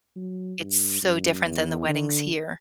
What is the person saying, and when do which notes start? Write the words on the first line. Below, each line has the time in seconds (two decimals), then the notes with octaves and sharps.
it's so different than the weddings here.
0.16 F#3
0.60 G2
1.02 F#2
1.45 E2
1.88 D3